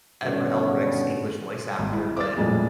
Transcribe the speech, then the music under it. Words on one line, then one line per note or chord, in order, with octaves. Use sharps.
Edward Elric's English voice actor, but
G2 B2 D3 D#3 C#4 F#4
G#1
E4
D6 A6
A#1 F2 A2 G3 G#3 G#4